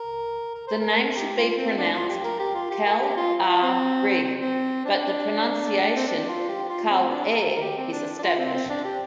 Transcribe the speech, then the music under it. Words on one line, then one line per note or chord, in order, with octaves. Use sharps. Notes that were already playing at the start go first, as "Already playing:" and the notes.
The name should be pronounced Kal-"ah"-ree, but the pronunciation Kul-"air" is established.
Already playing: A#4
A#4
C5
A#4
G4
F4
C4
D4
F4
G4
A#4
G4
F4
G4
A#4
G4
F4
F4
C4
C4
C4
D4
C4
D4
F4
G4
F4
C4
D4
A#4
A#4
G4
C4
D4
D4
F4
C4
C4
D4
G4